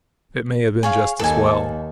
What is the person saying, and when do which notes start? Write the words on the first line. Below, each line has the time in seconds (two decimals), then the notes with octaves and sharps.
It may have been just as well.
0.83 G#4 C#5 F5
1.19 D#2 A4 G#5